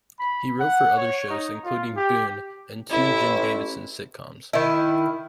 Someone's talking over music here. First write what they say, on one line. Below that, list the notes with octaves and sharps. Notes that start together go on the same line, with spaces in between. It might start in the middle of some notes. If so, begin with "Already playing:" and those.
He wrote for other shows, including "Boon", and two Jim Davidson sitcoms.
B5
F#5
C#5
D#4
F4
G4
A1 E4
D#3 E4